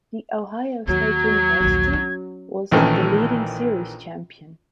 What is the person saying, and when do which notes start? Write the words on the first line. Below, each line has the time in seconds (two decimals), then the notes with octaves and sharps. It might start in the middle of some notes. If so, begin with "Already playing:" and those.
The Ohio State University was the leading series champion.
0.88 D#2 F#3 G#6
1.60 A#1 D#2
1.93 C#4
2.71 A#1 D#3 E3 A3 C#4 A4